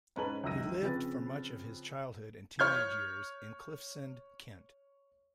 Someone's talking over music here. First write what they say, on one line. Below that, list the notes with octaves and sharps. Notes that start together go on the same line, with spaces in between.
He lived for much of his childhood and teenage years in Cliffsend, Kent.
G#2 C#4 B4 A5 F#7
C#2 F#2 D#3 E6 A#6 D#7
C#3 F3 C4 C#4 B4 A6
C#5 F6 G6 G#6